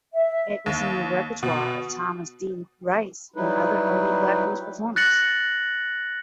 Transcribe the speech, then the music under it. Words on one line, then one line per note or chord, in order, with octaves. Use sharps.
It was in the repertoire of Thomas D. Rice and other early blackface performers.
E5
D#2
B2
F#3 G3 D#4 E4 B4
F#6 A6 A#6 C#7 F#7